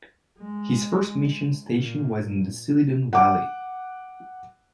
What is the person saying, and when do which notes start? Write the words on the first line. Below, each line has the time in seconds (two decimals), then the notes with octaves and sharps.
His first mission station was in the Silindung Valley.
0.38 G#3
1.73 A#2
3.13 F#5 D6